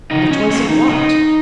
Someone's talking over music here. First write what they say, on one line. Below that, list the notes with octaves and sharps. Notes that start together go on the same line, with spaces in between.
And a choice of what?
C#3 D#4
C#4
F#3 A#3 C#4
D#4
C#3 D#4